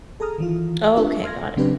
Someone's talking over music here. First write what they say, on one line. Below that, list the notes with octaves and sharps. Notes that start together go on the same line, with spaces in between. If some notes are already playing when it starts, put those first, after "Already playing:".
Okay, got it.
G#4 A4 A#5 D#6 F6
D#3 E3 F4
C4 D4 F4 G4 B4 E5
C6 F6 G#6 A#6
C#3 F#3 C4 D4 G4 B4